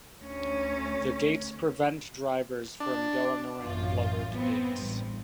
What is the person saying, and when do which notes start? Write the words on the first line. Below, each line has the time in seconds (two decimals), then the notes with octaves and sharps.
The gates prevent drivers from going around lowered gates.
0.22 D2 C#4
2.80 D4
3.62 A1 F#2 F4
4.32 B3 C4
4.76 A1 G2